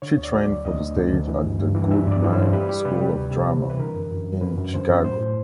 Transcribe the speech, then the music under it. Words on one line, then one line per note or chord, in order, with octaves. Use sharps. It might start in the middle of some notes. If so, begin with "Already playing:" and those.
She trained for the stage at the Goodman School of Drama, in Chicago.
D3 C#5
D2
D5
F#3
D2 D5
D2 D#5
D2
D2
D2
E3
G2
G2
E3
G3 E5
G2 D5
E3
G2 C5
G3 B4
G3
C3 B4
G3
D2
C3
C3
E3
B4
D3 A#4
F#2
F#2
F#2
F#2 B4
F#2
D3 C5
F#2
A2 C5
A2